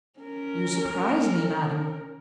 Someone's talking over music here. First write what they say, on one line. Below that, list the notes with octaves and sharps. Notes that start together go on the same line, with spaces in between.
"You surprise me, madam."
C#4 A#4